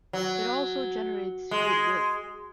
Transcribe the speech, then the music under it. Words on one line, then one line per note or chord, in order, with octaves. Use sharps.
It also generates good will.
F#3
G#3